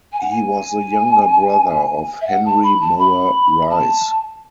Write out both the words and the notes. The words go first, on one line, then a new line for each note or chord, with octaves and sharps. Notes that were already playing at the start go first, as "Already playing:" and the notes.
He was the younger brother of Henry Mower Rice.
G#5
F#5
G#5
E5
F#5
A5
B5
A5
B5
A5